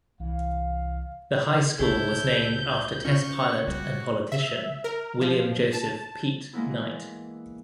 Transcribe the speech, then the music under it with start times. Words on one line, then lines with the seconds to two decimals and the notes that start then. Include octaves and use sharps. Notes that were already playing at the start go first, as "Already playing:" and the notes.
The high school was named after test pilot and politician William Joseph "Pete" Knight.
0.20 C2 E3 F5
1.79 C#2 C3 E4 G#4 C#5 A5 G6
3.05 C#4 F4 A#4 C#6
3.67 C#2 G3 G#3 F#4
4.32 E5
4.84 A#4
5.21 F3
5.73 A5
6.53 E3 G#3 A#3 B3 E4